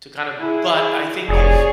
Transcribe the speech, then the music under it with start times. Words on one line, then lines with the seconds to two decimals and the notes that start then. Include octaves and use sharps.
to kinda but I think if
0.38 E4 G#4
1.29 F1 G#4 C#5 D5